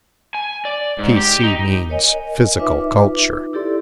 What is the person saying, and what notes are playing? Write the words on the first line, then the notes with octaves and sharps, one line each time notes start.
P.C. means physical culture.
G#5
D5
G#2
G4
D#4
A#4 C#5 D#5 G#5
D#4 F4 B4 E5 D6
E4 G4 A4 D5 C6